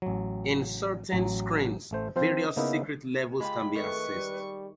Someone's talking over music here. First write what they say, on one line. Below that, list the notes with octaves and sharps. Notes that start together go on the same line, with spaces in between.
In certain screens various secret levels can be accessed.
A1 F#3
A1 F#3 A#5
A1 A3 C5
F3 C4 F4 C5
C#3 A#3 B3 D#4 E4 A#4
G#3 F4 G4 B5
D#3 A3 B4 C#6
G3